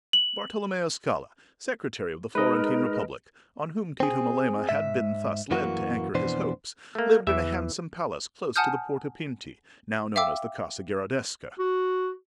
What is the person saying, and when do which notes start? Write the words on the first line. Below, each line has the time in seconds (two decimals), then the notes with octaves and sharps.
Bartolommeo Scala, secretary of the Florentine Republic, on whom Tito Melema had been thus led to anchor his hopes, lived in a handsome palace close to the Porta Pinti, now known as the Casa Gherardesca.
0.13 F#7
2.35 G#3 D#4 A#4 B4 D#5
4.00 C4 G#4
4.69 G#2 E5
5.51 F#2 E3 F#3 A#3 F#4
6.14 F2 B2 E3 B3 D4 C5
6.95 A3 A#3
7.27 E2 E3 E5
8.56 F#5 G#5 A5 D#6 F6 G6
10.16 E5 F5 G5 D6 E6
11.59 F#4